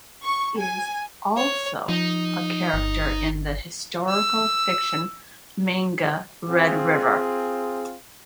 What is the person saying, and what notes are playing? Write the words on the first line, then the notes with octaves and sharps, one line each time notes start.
He is also a character in the historical fiction manga "Red River".
C#6
G#5
C#5
F3 D#4
G1
E6
C4 F4 G#4